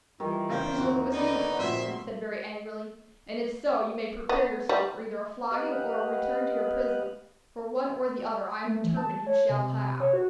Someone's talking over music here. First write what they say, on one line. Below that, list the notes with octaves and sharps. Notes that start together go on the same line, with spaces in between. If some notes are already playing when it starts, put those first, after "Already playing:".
"I presume it was you, sir," he said very angrily, "and if so, you may prepare yourself for either a flogging or a return to your prison, for one or the other I am determined you shall have."
D#3 E3 G3 F4
C#3 C4 F5 G6
D#2 F#4
D3 D#4 B4 D5
A#2 F3 C4 F#4 E5 C6
B3
G3
G4 B4 D#5 F5 F#5
A3
E3
A5
C#5
C3
C#5
F#4